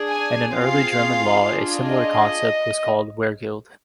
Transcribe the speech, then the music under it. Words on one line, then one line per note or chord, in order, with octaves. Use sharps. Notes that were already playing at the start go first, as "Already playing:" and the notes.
In an early German law, a similar concept was called weregild.
Already playing: D4 G#4
G#5
C4 F4 G#4 F5
D4 F4 G#4
D#5